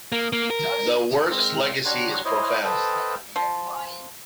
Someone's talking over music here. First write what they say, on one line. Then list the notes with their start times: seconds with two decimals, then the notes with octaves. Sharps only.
The work's legacy is profound.
0.12 A#3
0.33 A#3
0.50 A#4
1.31 G#3 C4 A#4 C5 A#5 E6
1.85 D4 G4 C#5 F#5 A#5 C6
2.25 E4 C5 C#5 D#5
2.65 A4 B4 C5 D#5 G5 A5
3.36 F3